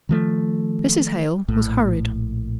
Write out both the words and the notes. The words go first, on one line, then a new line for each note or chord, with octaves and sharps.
Mrs. Hale was hurried.
D#3 F3 A3
A#1 A2